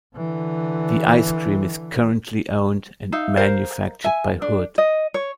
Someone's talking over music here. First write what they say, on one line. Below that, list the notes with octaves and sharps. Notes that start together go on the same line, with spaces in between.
The ice cream is currently owned and manufactured by Hood.
D3 E3
D#4 E5 F5
A#4 C5 F5
E5 G#5
D4
D#5
C#5